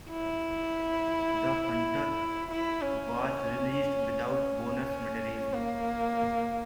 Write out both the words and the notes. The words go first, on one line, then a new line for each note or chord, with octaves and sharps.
"The Hunter" was released without bonus material.
E4
E4
C#4
C#4
A#3